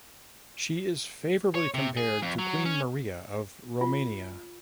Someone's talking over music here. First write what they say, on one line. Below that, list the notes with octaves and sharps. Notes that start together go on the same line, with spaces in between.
She is favourably compared to Queen Maria of Romania.
C#5
C3
G#4
F2
F#3
C#4
F4